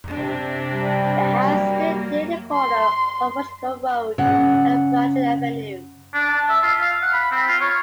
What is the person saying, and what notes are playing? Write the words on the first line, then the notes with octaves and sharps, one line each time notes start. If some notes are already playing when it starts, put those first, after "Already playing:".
The house stood near the corner of Watchogue Road and Bradley Avenue.
C3 D4
G3
F#3 A#3
C6
C#3 F#5
D4
A5
E5
F4
F5
F#5
B5
C4
F4
C#5